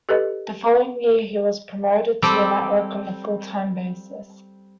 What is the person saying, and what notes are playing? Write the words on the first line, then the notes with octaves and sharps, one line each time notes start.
The following year, he was promoted to the network on a full-time basis.
G4 A4 B4 D#5
G3 C4 A4 D5